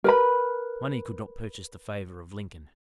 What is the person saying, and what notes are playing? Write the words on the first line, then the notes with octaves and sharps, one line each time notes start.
Money could not purchase the favor of Lincoln.
A#4 B4 B5